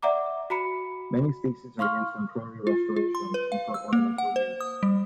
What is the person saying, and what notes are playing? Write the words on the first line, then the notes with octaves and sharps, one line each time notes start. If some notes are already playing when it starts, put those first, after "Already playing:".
Many species are used in prairie restorations and for ornamental use.
D5 E5 F#5 A#5 D6
F#4 A#5 B5 C#7
F5 C6 C#6 F6
F4
F4
C6
B4
F5
E6
A#3
F#5
C5
D#6
G3